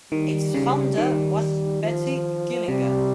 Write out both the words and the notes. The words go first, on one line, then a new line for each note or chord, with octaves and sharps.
Its founder was Betty Gillingham.
D#3 G3
C#3
D#3
F3
C3 G3